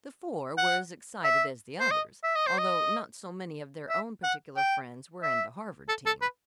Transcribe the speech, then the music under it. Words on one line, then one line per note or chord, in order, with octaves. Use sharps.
The "Four" were as excited as the others, although not so many of their own particular friends were in the Harvard team.
F#5
E5
C5
D#5
E5
D#5
C5
D#5
E5
F#5
G5
E5
A4
A4
B4